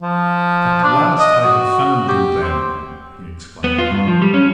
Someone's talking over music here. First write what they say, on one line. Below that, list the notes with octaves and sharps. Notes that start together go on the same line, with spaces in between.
"At last I have found you, then!" he exclaimed.
F3
D4
D#5
F#4
G4
C4
B3
F4
G2
F3
G3
C#4